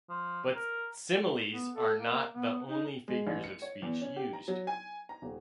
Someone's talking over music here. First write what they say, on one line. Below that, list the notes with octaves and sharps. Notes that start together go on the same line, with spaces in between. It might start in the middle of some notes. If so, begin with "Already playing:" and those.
But similes are not the only figures of speech used.
F3
A#4
B3
A4
A#3
B3
D#4
G#3
A1
C#7
C#5
E2
C#4
G4
A#5
F#3
G#5
A#5
D#1